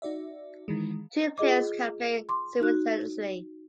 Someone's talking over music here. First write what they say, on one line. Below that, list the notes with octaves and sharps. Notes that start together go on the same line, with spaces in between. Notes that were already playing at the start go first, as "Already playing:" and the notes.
Two players can play simultaneously.
D#4 F#4 D5 E5
D#3 E3 G#3
F4 G#4 D#5 D6
C6 D6
D#4 F#4 F#6